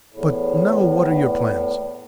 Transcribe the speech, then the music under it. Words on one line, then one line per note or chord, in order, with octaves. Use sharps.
But now what are your plans?
E2 A2